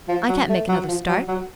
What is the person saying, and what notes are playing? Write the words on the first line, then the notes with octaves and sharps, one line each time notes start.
I can't make another start.
F3
F#3
A3
F#3
F3
F#3
F#3